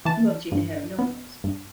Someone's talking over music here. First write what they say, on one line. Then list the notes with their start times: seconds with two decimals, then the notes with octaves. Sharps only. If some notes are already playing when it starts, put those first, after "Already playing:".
You are the Gina here, and no one else.
0.05 E3 A5
0.52 G2
0.98 B3
1.44 G2